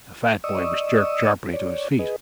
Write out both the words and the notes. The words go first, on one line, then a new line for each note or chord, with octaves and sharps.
The fat boy was jerked sharply to his feet.
D5 D#5 C#6 D#6 E6
C#5 D5
G#4 B4 D#5